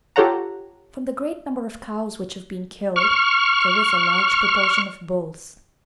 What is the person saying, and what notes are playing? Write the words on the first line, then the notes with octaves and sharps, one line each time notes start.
From the great number of cows which have been killed, there is a large proportion of bulls.
F4 G4 A4 C#5 F#5 A#5
C#6 F6